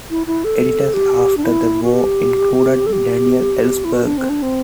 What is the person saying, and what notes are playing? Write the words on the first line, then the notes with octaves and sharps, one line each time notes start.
Editors after the war included Daniel Ellsberg.
E4
E4
A4
G4
D4
E4
F#4
G4
A4
G4
E4
F#4
D4
C4
D4
C4